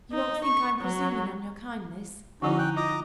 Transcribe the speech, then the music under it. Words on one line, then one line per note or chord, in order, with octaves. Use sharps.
"You won't think I am presuming on your kindness?"
D#4
C#6
F#3
D3 F3 C#4 D#4 E4 F#4
G5 F#6
F4 D#5 A#5 D6